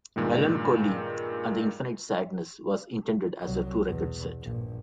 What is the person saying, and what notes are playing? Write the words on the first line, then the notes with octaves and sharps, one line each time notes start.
"Mellon Collie and the Infinite Sadness" was intended as a two-record set.
G2 A#2 D#3 G#3
C2 F#3
E2 B2
A#1 G2